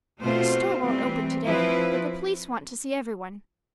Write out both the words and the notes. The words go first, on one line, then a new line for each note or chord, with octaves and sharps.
The store won't open to-day, but the police want to see every one.
B2 A3 C4 F4 C5
E3 G3 C4
F3 C4 E4 B4